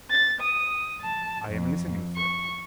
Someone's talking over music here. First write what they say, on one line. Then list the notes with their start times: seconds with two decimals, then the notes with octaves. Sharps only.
"I am listening, sir."
0.10 A6
0.41 D#6
1.02 A5
1.49 F2
2.16 C#6